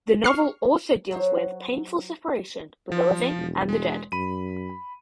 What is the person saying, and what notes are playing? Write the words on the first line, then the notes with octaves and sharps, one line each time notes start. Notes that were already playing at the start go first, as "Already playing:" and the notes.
The novel also deals with painful separation with the living and the dead.
C#6 F6 C7
F#3 C5 C#5
F3
E1
G#3
F#2 B5 D#7